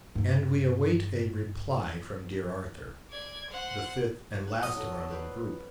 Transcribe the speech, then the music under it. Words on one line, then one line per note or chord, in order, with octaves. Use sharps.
And we await a reply from "Dear Arthur"--the fifth and last of our little group.
G2 D#4
D5 G#6
C5 F#5
F#5
D#5
F#3 A4
B4 C5 D5